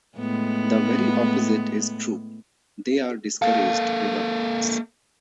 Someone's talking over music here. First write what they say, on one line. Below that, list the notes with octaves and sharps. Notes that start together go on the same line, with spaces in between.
The very opposite is true; they are discouraged vagabonds.
A2 G#3 B3
A#3 A4 F5